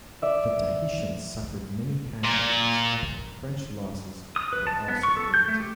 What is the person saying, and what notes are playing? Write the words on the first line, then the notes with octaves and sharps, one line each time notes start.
The Tahitians suffered many casualties, but the French losses were also great.
D5 E5
A#2
D#6
B4
A5
B3
C#6
A4
G6
A3
G4